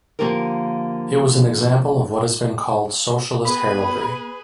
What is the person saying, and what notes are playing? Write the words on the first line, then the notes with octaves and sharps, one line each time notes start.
It was an example of what has been called "socialist heraldry".
D3 F3 A#3 F#4 G4 A#4
B3 G#4 B4 B5